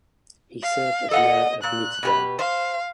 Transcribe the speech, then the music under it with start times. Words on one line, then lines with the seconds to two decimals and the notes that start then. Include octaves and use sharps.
He served as mayor of Nittedal.
0.63 F5
1.11 A4 D#5 F5 F#5
1.63 A#2 F#6
2.03 B2 G4 B4
2.39 C5 F5